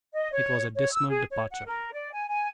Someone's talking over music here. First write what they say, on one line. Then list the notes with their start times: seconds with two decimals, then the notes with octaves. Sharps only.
It was a dismal departure.
0.13 D#5
0.33 C#5
0.75 C#5
0.92 E6
1.09 G#4
1.32 C#5
1.51 F#5
1.67 A#4
1.92 D5
2.12 G#5
2.28 G#5